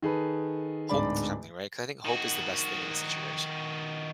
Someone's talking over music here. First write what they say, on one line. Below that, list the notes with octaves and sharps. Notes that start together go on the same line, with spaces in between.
hope for something, right? 'Cause I think hope is the best thing in the situation.
D#3 G#4 A4 B4
D1 G#2 D4 D5 B5
D#3 F#4